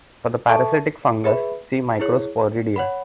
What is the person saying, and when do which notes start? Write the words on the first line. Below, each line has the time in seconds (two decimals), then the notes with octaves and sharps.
For the parasitic fungus, see Microsporidia.
0.49 A4 E5 A5 C#6
1.24 G#4 B4 E5 B5
2.00 E4 G#4 C#5
2.76 C#5 F#5 B5